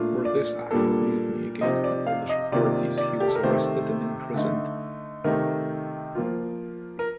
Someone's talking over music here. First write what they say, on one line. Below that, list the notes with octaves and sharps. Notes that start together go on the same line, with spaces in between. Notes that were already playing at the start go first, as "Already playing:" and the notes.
For this act of mutiny against the Polish authorities, he was arrested and imprisoned.
Already playing: A#2 A3 D4 F4
D5
A#2 G3 A#3 D4 A4
C3 F3 C4 D#4 D#5
D5
F5
D#5
C3 D#3 A#3 F4 D5
D5
G4
A4
A#4
C3 D#3 A3 C5
D3 A3 D#4
C3 D#3 A3 D#4 A#4
F3 A#3 F4
A#4